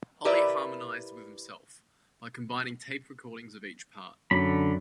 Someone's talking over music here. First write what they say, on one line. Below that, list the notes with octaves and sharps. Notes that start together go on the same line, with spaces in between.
Holly harmonized with himself, by combining tape recordings of each part.
E4 G4 A#4 B4 D5 E5
F#2 D3 D4 B5